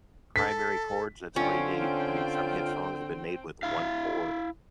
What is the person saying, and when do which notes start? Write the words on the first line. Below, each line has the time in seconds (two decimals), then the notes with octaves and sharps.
primary chords, that's all you need. I mean, some hit songs have been made with one chord.
0.36 A4 B6
1.36 D3 C4 C#4 F4 G5
3.63 E4 F5